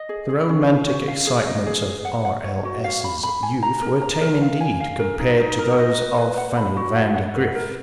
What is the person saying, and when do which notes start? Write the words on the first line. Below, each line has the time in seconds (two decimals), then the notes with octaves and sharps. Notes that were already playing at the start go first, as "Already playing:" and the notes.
The romantic excitements of R. L. S.'s youth were tame indeed compared to those of Fanny Van de Grift.
Already playing: D#5
0.09 G#4
0.29 G#4
0.49 C#4
0.68 F4
0.87 C#4
1.08 F5
1.27 G#4
1.47 D#5
1.66 G#4
1.86 G#4
2.05 F#5
2.25 F#5
2.45 C#5
2.65 F#4
2.84 F5
3.04 B5
3.23 B5
3.43 G#5
3.63 A#5
3.82 A#4
4.02 A#5
4.21 A#4
4.42 F5
4.61 G#5
4.80 F5
4.99 A#4
5.20 D#4
5.40 D#4
5.59 A#4
5.79 D#5
5.98 B4
6.18 B4
6.38 F#5
6.57 B5
6.77 F#4
6.96 F#5
7.16 F#5
7.36 B4
7.55 A#4